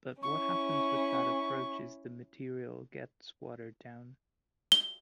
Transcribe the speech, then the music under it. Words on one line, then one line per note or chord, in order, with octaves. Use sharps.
But what happens with that approach is the material gets watered down.
C#4 E4 C#6
G7